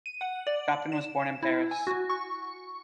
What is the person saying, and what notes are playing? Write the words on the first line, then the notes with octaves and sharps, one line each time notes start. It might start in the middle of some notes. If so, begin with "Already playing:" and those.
Chapelain was born in Paris.
D#7
F#5
D5
E7
E4
G#5
F#4
C#6